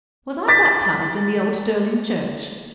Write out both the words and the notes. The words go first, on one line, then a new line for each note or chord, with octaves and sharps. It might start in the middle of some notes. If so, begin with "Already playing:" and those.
Was I baptized in the old Sterling church?
D6 A6 B6